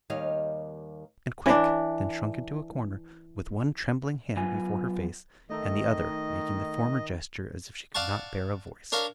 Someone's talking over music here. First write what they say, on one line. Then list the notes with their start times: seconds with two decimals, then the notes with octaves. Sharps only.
And quick!'--then shrunk into a corner, with one trembling hand before her face, and the other making the former gesture, as if she could not bear a voice.
0.10 D#2 D#3 G3 C#5 D#5 F5
1.46 E3 D4
4.36 F#3 B3 F4 G#5
5.50 D#3 A3 D#4 A4 D#5
7.95 D5 F5 F#5 A5 C#6
8.92 D4 A#4 C#5 F5